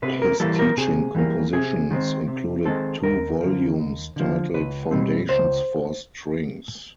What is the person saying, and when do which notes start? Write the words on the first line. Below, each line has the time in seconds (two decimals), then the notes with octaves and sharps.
His teaching compositions included two volumes titled "Foundations for Strings".
0.02 C3 B4
0.22 A#4
0.40 E3 G3 A#3 A4
0.59 A#4
0.77 C3 G#4
1.15 E3 G3 A#3
1.53 C3 G#4
1.91 D#3 G#3 C4
2.28 C3
2.65 D#3 G#3 C4 A4
3.03 D#2 A#4
3.41 D3 F3
3.79 D#2
4.16 D3 F3
4.54 C#2 B4
4.91 B2 G3 C4
5.29 C#2 C5